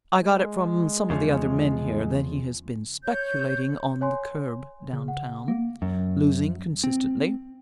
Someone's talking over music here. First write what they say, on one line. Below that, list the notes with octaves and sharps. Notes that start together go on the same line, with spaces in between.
I got it from some of the other men here that he has been speculating on the curb downtown, losing consistently.
G#3
E2 C#3 F3
C#5 G6
C#5 G#5 C6
C#3
F#5
A#3
F#2
C4